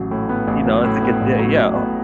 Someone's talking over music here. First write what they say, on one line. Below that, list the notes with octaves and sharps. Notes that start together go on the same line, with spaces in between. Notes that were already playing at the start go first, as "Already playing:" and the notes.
you know? It's a like a d yeah, uh
Already playing: A1 F#3
A2
B3
A1
F#3
A2
B3
A1
F#3
A2
B3